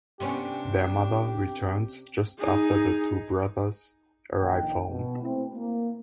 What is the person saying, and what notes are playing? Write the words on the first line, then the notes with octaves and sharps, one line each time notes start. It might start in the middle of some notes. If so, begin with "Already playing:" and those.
Their mother returns just after the two brothers arrive home.
C3 B3 C#4 D4 G4
D#4 G#4
A#1 D#3 G5
B2
A3 C4 E4
A#3